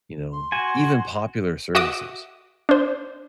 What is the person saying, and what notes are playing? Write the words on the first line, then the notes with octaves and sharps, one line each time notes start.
you know, even popular services.
C6
F#4 G#5
F#4 D#5 E5 F#5 D6 D#6
D4 C5